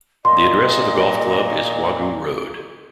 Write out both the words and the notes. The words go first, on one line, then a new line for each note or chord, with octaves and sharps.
The address of the golf club is Wagoo Road.
A#2 D#5 C6